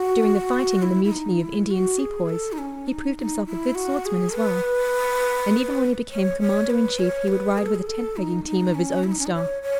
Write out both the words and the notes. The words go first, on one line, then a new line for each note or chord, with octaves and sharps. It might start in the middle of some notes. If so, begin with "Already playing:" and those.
During the fighting in the mutiny of Indian sepoys, he proved himself a good swordsman as well; and even when he became Commander-in-chief, he would ride with a tent-pegging team of his own staff.
Already playing: F#4
E4
E4
D#4
E4
F#4
G#4
A4
D#4
C#4
D#4
D#4
E4
F#4
G#4
B4
C#5
C#5
B4
C#5
B4
G#4
A4
G#4
A4
D#4
D#4
C#4
E4
D#4
C#4
D#4
C#5
C#5